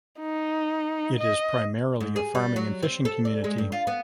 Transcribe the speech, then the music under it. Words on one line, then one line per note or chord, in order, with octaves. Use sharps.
It is primarily a farming and fishing community.
D#4
D#5
G#2
G#4
G3
F#3
C4
A4
D5
G#3
G2
F4
B3